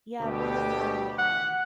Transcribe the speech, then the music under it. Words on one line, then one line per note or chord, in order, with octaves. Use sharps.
Yeah, one of my, um
D2 B2 G4
F#5